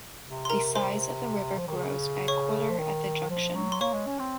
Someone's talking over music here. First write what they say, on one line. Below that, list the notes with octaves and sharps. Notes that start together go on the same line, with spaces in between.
The size of the river grows by a quarter at the junction.
C3
C6
A#4 A#5
C5 C6
F3
D#3
C#3
C#5 C#6
F3
D#3
F3
F#3
C6
A#3 C#5 C#6
G#3
C#4
C4